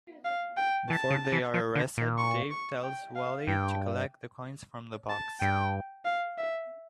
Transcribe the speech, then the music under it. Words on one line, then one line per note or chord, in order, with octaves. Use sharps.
Before they are arrested, Dave tells Wally to collect the coins from the box.
F5
G5
E3 A5
C#3
E3
F3
D3
A#2
C#6
C#6
G5
F5
G2 G5
A5
G2 G5
F5
E5